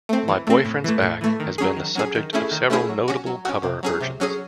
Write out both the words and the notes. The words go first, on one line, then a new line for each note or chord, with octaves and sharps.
"My Boyfriend's Back" has been the subject of several notable cover versions.
A3 C4
E3
A3 C4
A2
E3 A3
A2
E3 A3
D#3
F#3 C#4 G#4
D#3
F#3 C#4 G#4
D#3
A3 C#4 E4 G#4
D#3
A3 C#4 E4 G#4
F#3
C#4 F#4
F#3
C#4 F#4
C3
F#3 C#4 G#4
C3
F#3 C#4 G#4